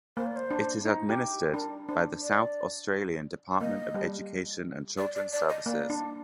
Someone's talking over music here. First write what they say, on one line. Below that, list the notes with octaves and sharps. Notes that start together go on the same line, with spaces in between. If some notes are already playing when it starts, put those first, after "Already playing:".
It is administered by the South Australian Department of Education and Children's Services.
A#3 C5
D5
C5
D4
D#4
G4
D4 A#4
D4 C5
D5
A#3 D#5
G3
D5
D5
D5
D#5
A#3 D5
D4